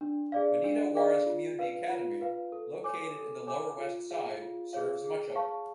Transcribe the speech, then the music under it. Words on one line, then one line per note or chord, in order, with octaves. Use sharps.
Benito Juarez Community Academy, located in the Lower West Side, serves much of it.
D4
G#4 D5 F5
D4
G#4 D5 F5
F4
B4 F5
F4
B4 F5
A4
C#5 G#5 D6
A4
C#5 G#5 D6
F4
G#4 C#5 F5
F4
G#4 C#5 F5
G#4
C#5 F5 A5 C#6